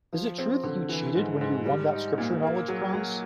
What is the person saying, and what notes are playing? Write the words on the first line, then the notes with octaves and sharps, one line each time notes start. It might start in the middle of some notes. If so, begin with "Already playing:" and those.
Is it true that you cheated when you won that Scripture-knowledge prize?
F3
C4
D3
E3
G#2
G#2
G3
D#4
A#2
A#3
F#3
F#3